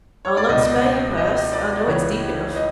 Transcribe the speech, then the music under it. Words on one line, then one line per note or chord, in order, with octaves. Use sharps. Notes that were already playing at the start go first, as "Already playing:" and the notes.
I'll not spare your purse,--I know it's deep enough.
C#5
D5
C#2 B2 D#5
D#5
D5
C#2 C#3 E3 C#5
D#5